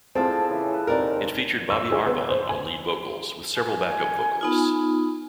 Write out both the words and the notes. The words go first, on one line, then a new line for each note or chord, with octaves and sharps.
It featured Bobby Arvon on lead vocals, with several back-up vocalists.
A2 F3 C4 G#4 A5
C#3 E3
A4 B4
D#2 C3 D#3 A#4 D5
E6
G#4
B3
C5
G#5
G#5
B3 D#4 F4